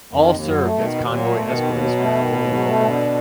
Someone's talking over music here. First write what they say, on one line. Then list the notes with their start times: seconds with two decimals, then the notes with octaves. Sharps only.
All served as convoy escorts during World War One.
0.11 F2 D#3
0.28 D#2
0.45 F#2 F#3
0.62 A3
0.78 B2 D#3
0.95 D#2
1.12 A#2 F#3
1.29 A3
1.46 B2 D#3
1.63 D#2
1.80 F#3
1.97 A3
2.13 D#3
2.31 D#2
2.47 F#3
2.64 A3
2.80 D3